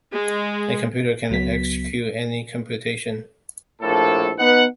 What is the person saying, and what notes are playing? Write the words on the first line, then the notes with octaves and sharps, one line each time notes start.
A computer can execute any computation.
G#3
C#2 F#3 B3 B6
A#1 A2 A#3 A4
B3 D#4 B4 F#5